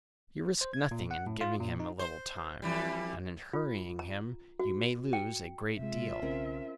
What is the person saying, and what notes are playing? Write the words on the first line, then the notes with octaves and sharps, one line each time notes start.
You risk nothing in giving him a little time, and in hurrying him you may lose a great deal.
C5
G#6
A#2
F#5
A2
F4
A#2
D#4
C5
F2 E3 G3
F4
A#5
F#4
G5
C3 G#3 F4 E5
B1 C#3 C4 C#4 A#4